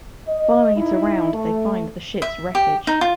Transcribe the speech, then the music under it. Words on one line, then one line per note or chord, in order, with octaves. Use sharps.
Following it around they find the ship's wreckage.
D#5
D#4 E4
A3
E5
G4
D#4
F4